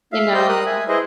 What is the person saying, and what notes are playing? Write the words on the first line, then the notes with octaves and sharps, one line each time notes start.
you know
E5 F5
C5 D#5 G6
A#4 D#6 F#6
E5 G#5
E4 G#4 B4 C5 D#5